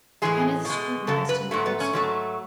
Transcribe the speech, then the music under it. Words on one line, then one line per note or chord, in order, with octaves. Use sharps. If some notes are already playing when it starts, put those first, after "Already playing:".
Kenneth scrutinized him closely.
A2 E3 G#3 G#4
B2 G#3
F#2 C#3 A4
B4
G#2 F#3 A3
B3
C#4
G#2 F#3 A3